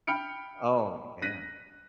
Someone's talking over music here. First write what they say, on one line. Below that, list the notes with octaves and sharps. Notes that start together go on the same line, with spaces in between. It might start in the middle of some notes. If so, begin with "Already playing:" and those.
Oh, yeah.
G5 B5 F6 C#7 D7
F#6 A#6 B6 D#7